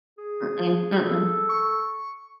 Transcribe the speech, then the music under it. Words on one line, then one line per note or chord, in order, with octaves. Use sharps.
Mm-mm, mm-mm.
G#4
A4
C#6